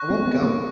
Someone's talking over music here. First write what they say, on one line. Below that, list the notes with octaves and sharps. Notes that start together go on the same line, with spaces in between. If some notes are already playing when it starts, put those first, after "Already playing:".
I won't go!
Already playing: C#6 F#6 A#6
C4
B3
A#3